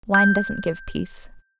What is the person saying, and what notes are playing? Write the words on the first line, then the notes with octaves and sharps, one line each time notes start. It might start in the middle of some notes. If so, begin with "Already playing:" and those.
Wine doesn't give peace.
G6